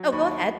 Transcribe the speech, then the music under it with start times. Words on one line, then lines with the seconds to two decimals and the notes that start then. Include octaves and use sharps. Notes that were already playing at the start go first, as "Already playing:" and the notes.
Oh, go ahead.
Already playing: F#3
0.12 D#2 B5 C#6